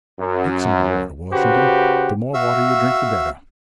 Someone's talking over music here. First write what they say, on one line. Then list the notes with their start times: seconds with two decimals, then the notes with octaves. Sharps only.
Take some more water, Washington--the more water you drink, the better.
0.20 F#2
1.33 C#3 F#4 G4 B4 C5
2.34 F#4 E5 F5 E6